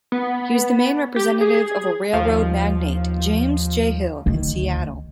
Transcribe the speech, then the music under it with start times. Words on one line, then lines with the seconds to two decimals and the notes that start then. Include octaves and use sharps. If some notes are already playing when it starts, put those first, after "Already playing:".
He was the main representative of railroad magnate James J. Hill in Seattle.
0.12 B3
1.16 G4
1.41 G#4
2.13 D#2 F3 F5
4.26 D2 D#3